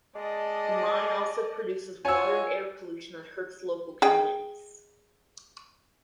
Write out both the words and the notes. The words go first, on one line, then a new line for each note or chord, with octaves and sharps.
The mine also produces water and air pollution that hurts local communities.
G#3 D5 D#5 A5
F4 F#4 C#5 G#5 E6
G#4 D#5 G5